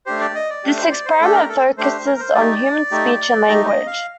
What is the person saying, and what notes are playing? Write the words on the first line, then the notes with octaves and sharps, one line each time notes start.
This experiment focuses on human speech and language.
A3 D4 G4 C5
D5
D#5
D5
A3 D4 G4
C5
D5
C5
A3 D4 G4 A4
A#4
A4
A3 D4 G4 C5
C5
A#4
C5
A3 D#4 G4 D5
A3 D#4 G4
A3 D#4 G4 D#5
D#5
F5